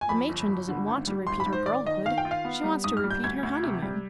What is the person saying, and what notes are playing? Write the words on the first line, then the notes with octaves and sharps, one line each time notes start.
The matron doesn't want to repeat her girlhood--she wants to repeat her honeymoon.
G#5
F2 B5
G1
G1
D3
G#1
G3
G#1 C6
B5
G#2
C5
D#3 D5
D#3 D#5
D#3 F5
G5
F4
F5
B3
G3
G#2 D#6
F6
G3
G6
D2 G#6
D2
C3
G3